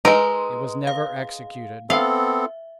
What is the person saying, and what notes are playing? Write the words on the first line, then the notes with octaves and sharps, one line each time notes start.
"It was never executed."
G#3 D#4 A#4 B4 C6
F5
B3 C4 A4 E5 F5